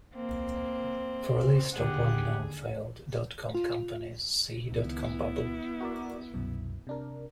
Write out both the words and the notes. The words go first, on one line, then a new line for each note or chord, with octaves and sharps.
For a list of well-known failed dot-com companies, see dot-com bubble.
A#3 C4
D#2 D3 G4 G#4 F#5
F4
C#2 D#3 B3 E4
F#4 A#4 D5
C2 F#2 B2
C3 D4 A#4